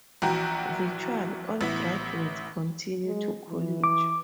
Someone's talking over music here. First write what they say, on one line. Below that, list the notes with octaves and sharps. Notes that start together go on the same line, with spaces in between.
Virtually all graduates continue to college.
A#1 E3 F#4 G5 A#5
A1 B3 E4
G#3
E3
D6